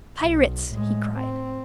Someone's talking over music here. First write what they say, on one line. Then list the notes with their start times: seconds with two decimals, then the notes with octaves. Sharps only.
"Pirates!" he cried.
0.21 B1
0.71 A2 G#3
1.18 C4